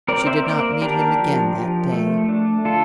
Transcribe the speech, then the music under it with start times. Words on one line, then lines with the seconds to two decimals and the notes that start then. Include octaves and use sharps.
She did not meet him again that day.
0.08 C4 A#4 D5
0.27 C5 E5
0.45 A#3 A#4 D5
0.82 D4 G4 A#4
1.18 F3
1.55 F3
1.92 A3
2.28 D4
2.65 D3 F4 A4